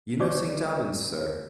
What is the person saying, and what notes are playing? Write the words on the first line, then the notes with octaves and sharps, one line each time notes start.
You know St Albans, sir?
F#4 G4 C#5 D5 C#6 D6